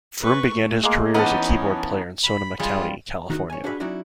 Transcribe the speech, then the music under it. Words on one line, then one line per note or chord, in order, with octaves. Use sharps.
Froom began his career as a keyboard player in Sonoma County, California.
B4 C#6
A3
G#3 A#3
E3 B3 C#4 D#4 A#4 F#5 A5
B5
G3 G#3 F4
D#3 D#4 F#4
C#5 G#5
D4 F#4 G#4 B4 E5 B5
F#3 C#4 D#4 E4 F#4 D5